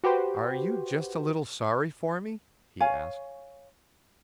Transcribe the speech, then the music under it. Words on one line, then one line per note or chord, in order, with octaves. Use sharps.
"Are you just a little sorry for me?" he asked.
F#4 G4 B4 C5
C#5 F5 G#5